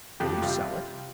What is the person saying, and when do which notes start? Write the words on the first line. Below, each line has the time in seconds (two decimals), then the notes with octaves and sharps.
Will you sell it?
0.20 F2 G4
0.42 C3 G3 F4